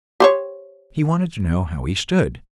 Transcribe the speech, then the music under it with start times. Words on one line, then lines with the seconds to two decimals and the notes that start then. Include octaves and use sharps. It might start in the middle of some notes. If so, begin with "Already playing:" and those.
He wanted to know how he stood.
0.20 G4 C5 C#5